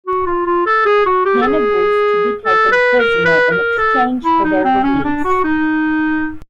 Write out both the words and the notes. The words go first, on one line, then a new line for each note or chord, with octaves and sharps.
Pen agrees to be taken prisoner in exchange for their release.
F#4
F4
F4
A4
G#4
F#4
G4
A4
G#4
A4
B4
A#4
B4
A#4
A4
E4
D#4
C4
C#4
D4
F#4
D#4